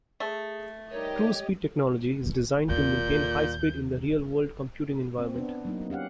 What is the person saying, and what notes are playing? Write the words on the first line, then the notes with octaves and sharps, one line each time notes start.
True Speed Technology is designed to maintain high speed in the real-world computing environment.
A3 G#4
G3 D#4 G4 A#4 C#5 D#5
D#2 A#2 G6
C4
B3 D4
F#3 A#3 D#4
C#4 G4 F5 F#5